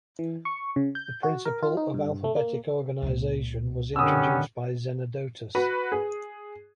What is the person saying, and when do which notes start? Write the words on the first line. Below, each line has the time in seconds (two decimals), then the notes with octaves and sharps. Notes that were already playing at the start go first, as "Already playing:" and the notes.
The principle of alphabetic organization was introduced by Zenodotus.
0.19 E3
0.45 C#6
0.76 C#3
0.95 G6
1.23 F#4
1.45 A#4
1.63 F4
1.77 D#4
1.94 G2
2.24 A3
2.36 A#3
3.02 C#2 A#2
3.96 F#2 D3 D#3 B3 C#4 G4 D#6 E6
5.55 F#4 B4
5.92 G#4